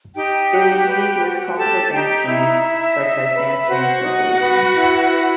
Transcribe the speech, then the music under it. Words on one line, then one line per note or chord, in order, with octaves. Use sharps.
It is used with console dance games such as Dance Dance Revolution.
D#4 G4 G5
F#4
B4
F#4
G4 A4 A5
D#4 G4 G5
E4 E5
E4
D#4
B4
E5
F#4 C5 F#5
D#4
B4
E4
B4